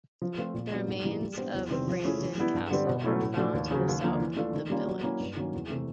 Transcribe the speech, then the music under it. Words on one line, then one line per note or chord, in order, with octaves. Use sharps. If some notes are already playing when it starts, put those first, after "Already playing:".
The remains of Brandon Castle are found to the south of the village.
F3
A3 C4 F4
A#2
F#3 B3 D4
G#2
E3 G3 A#3
G3
B3 D4 G4 C5
E2
C3 D#3 G3 C4
F3
A3 C#4 E4 G#4
E3
G3 B3 E4
G2
D3 G3 C4
B2
F#3 A3 C#4 E4
A2
F3 A3 D4 F#4
D#2
C#3 F#3
D#2
D3 F3 A#3
E3
A3 D4 F4 A4
D#3
G3 A#3 C#4 F4
F#3
A#3 C#4 E4
G2
D#3 F#3 A#3 C#4
E2
C3 E3 A3